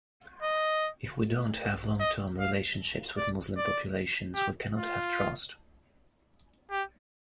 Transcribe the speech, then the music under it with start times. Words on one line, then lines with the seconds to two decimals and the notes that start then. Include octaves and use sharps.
If we don't have long-term relationships with Muslim populations, we cannot have trust.
0.43 D#5
2.00 D#5
2.39 F5
3.17 D5
3.57 D5
4.35 G4
4.75 F4
6.71 G4